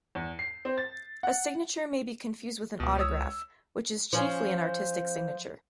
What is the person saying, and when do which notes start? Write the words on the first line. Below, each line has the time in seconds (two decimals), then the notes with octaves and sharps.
A signature may be confused with an autograph, which is chiefly an artistic signature.
0.15 E2
0.39 C7
0.65 C4
0.78 A6
1.23 F#5
2.80 C#2 B2
2.98 C#5 D#6 E6
4.13 F3 C#4